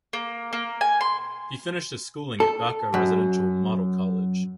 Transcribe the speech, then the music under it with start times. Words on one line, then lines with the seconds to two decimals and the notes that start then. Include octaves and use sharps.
He finished his schooling at Dhaka Residential Model College.
0.13 A#3
0.53 A#3
0.81 G#5
1.01 C6
2.40 A4
2.94 F#2